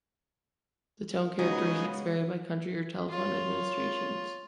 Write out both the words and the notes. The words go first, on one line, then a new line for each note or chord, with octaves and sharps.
The tone characteristics vary by country or telephone administrations.
C#3 F#3 G#3 B3 D#4 G#4
F4 C#5